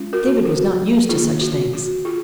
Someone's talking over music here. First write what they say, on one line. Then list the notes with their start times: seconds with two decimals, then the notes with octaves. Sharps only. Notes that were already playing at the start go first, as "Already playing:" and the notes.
David was not used to such things.
Already playing: G#3 C#4 F4
0.13 F#4 A#4
0.45 F#4
1.09 D#3 A#3 D#4 F4 G#4
1.41 F#4
1.74 F#4
2.05 F4 G#4